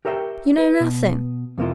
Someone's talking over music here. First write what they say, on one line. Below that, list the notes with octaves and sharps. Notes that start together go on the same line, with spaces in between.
"You know nothing."
G4 A#4 C#5 E5 F5 G5
B4
B2
F2 C3 A#3 E4 F4